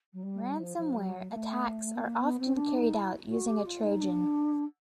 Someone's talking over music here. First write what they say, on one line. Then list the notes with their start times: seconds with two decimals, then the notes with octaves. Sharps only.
Ransomware attacks are often carried out using a Trojan.
0.13 F#3
0.23 G3
0.59 F3
0.77 F3
0.95 F#3
1.09 G3
1.13 F#3
1.31 A3
1.95 B3
2.04 A#3
2.21 B3
2.39 C4
2.56 D4
2.74 D#4
2.93 E4
3.29 F#4
3.47 G4
3.65 F4
3.82 D#4
4.01 D4